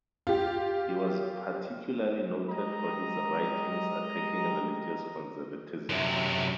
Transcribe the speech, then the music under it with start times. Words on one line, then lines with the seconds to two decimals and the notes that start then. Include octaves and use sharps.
He was particularly noted for his writings attacking religious conservatism.
0.27 F4 G4
2.49 G#3 G4 D#5 A#5
5.90 F#2 C3